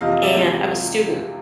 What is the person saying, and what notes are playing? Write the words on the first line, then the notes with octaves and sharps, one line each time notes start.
and I'm a student.
F2 C3 E3 D#5 F5
D#5 F5
D5 E5
C#2 C3 E3 G#3